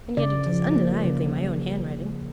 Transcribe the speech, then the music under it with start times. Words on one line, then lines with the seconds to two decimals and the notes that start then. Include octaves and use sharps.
And yet it is undeniably my own handwriting.
0.17 C#3 D5
0.47 F3
0.76 A#3
1.04 C#3